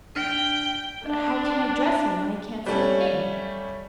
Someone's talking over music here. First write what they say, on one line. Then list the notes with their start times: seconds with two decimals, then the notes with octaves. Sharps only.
"But how can I dress me when I can't see a thing?"
0.16 D4 G5 F6 B6
1.05 D4
2.66 G3 A3 C#4